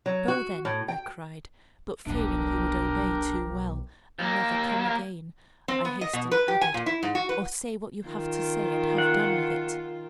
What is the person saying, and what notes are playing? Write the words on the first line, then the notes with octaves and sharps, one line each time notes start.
'Go then!' I cried; but, fearing he would obey too well, and never come again, I hastily added--'Or say what you have to say, and have done with it!'
F#3
F#4
A2
G5
D#1 B1 D4 G4 A#4 F#5
D#2 A#3
C4
B3
D#5
B2
B4
G4
G#5
A#2
E4
G#2
F#4
B4
D#3 F4
F#5